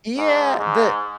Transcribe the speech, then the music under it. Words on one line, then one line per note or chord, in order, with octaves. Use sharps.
Yeah, the
G#2
G#2